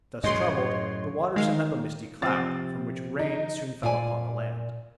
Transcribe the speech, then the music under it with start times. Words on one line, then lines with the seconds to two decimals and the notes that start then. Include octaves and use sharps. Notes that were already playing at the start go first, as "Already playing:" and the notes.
Thus troubled, the water sent up a misty cloud, from which rain soon fell upon the land.
0.24 F#2 A2 G#3 C#5 D#5 C6
1.36 D#3 G#3 F5
2.22 C3 F3 C4 A6
3.19 D#4
3.83 A#2 F4 D5 G#5